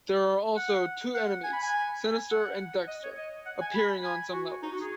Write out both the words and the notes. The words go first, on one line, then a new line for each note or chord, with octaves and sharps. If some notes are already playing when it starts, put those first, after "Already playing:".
There are also two enemies, Sinister and Dexter, appearing on some levels.
F#5
F#5
G#5
B5
G#5
F#5
D#5
C#5
D#5
F#5
G#5
B5
G#5
F#4
D#4
F#4
G#4